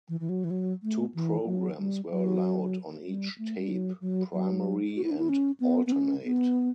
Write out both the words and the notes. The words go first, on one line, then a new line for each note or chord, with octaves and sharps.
Two programs were allowed on each tape: primary and alternate.
E3
E3
F#3
E3
F#3
A3
E3
F#3
G3
F#3
G3
A3
G3
F#3
F#3
F#3
F#4
E4
D4
E4
C#4
B3
B3
C#4
B3